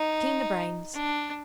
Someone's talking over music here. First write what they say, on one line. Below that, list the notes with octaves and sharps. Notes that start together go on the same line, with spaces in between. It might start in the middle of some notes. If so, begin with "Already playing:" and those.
Clean the brains.
Already playing: D#4
D4